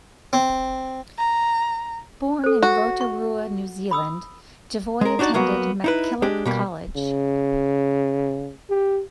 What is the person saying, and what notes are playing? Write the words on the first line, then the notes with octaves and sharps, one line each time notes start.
Born in Rotorua, New Zealand, Devoy attended MacKillop College.
C4
A#5
A4 C5
F#4
C#6
B5 D#6 E6
G#3 A#4
D4 D#4 F#4 C#5 D5
F#3 A#3 B3 F#4
D#4 E4 B4
G#3 D4 G4
B2 G3 A#3
C#3
G4